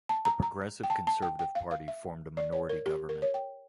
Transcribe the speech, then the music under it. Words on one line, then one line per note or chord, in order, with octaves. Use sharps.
The Progressive Conservative Party formed a minority government.
A5
A#5
A#5
G5
A5
A5
G5
G5
F5
F5
E5
D5
C#5
A#4
G4
A#4
C#5
G5